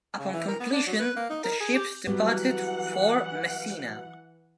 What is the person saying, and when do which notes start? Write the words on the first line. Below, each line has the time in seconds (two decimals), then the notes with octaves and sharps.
Upon completion, the ships departed for Messina.
0.19 C#3
0.33 E3
0.48 A#4
0.60 B3
0.73 D4
0.87 F#3
0.99 B4
1.17 A#3
1.30 D#4
1.44 A#4
1.60 G#4
1.75 G4
2.07 E3 F#3 G3 B3 F#5